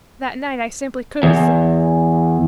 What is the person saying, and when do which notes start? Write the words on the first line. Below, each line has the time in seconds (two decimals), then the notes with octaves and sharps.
That night I simply couldn't sleep.
1.23 E2